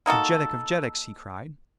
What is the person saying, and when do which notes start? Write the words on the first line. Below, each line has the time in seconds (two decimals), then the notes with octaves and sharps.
"The Jeddak of Jeddaks!" he cried.
0.06 A#3 D#4 F#4 A4